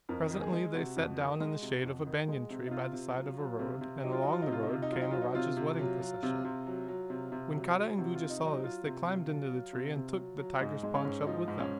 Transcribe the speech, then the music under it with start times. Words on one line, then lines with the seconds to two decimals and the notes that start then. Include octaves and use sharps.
Presently they sat down in the shade of a banyan tree by the side of a road and along the road came a Raja's wedding procession; when Kara and Guja saw this they climbed into the tree and took the tiger's paunch up with them.
0.09 F2 A#4
0.31 D#3
0.42 G#4
0.52 G#3
0.75 C3 F#4
0.96 F2
1.18 D#3
1.40 G#3
1.62 C3
1.84 F2
2.06 D#3
2.28 G#3
2.50 C3
2.67 D#4
2.71 C3 F4
2.93 C3
3.15 F#3
3.38 F#3
3.59 C3
3.81 C3
4.03 F#3 D#4
4.12 F4
4.22 F#3 D#4
4.32 F4
4.42 D#4
4.47 C3
4.52 F4
4.62 D#4
4.69 C3 F4
4.82 D#4
4.91 F#3 F4
5.01 D#4
5.11 F#3 F4
5.22 D#4
5.35 C3 F4
5.57 C3
5.79 F#3
6.01 F#3
6.23 C3
6.45 C3
6.67 F#3
6.88 F#3
7.10 C3
7.32 C3
7.54 F#3
7.75 F#3
7.98 C3 F#4
8.15 C3 F4
8.30 D#4
8.42 F#3 D#4
8.63 F#3 F4
8.86 C3
9.07 C3
9.29 F#3
9.51 F#3
9.73 C3
9.95 C3
10.17 F#3
10.39 F#3
10.61 G#2 D#4
10.83 G#3
10.94 C#4
11.05 G#2
11.27 F3 D#4
11.48 G#2
11.59 C#4